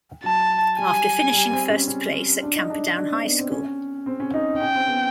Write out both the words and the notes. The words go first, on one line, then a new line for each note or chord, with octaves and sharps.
After finishing first place at Camperdown High School.
F#3 A5
G3 G#5
G3
C4
C#4
C#4
D4
D#4
D4
D#4
D4
C4
B3
C4
C#4
C4
C#4
D#4
C#4 G5
C4
B3